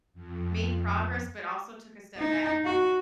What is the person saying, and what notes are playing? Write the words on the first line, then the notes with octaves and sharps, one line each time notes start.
made progress, but also took a step back.
F2
D#4
F#4